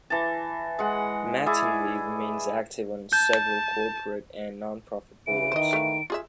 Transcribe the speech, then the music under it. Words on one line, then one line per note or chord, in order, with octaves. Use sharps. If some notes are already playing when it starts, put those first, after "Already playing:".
Mattingly remains active on several corporate and nonprofit boards.
E3 A5
G#3 F#5
E4 G#4 D5
A5 G6
C#3 E3 D7
D#3 C5 D#5
A3 F5
F4 G#4 E5